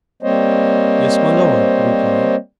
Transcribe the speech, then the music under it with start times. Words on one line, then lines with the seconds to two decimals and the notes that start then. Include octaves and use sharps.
"Yes, my lord," he replied.
0.23 G3 A#3 C4 C5 C#5 D#5